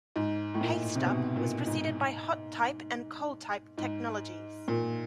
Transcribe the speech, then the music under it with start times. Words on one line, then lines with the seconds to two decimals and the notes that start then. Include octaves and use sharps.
Paste up was preceded by hot type and cold type technologies.
0.16 G#2
0.54 A2
0.61 A#2
0.95 C3
1.06 B2
1.36 A#2
1.67 G#2
3.78 G#2
4.68 A#2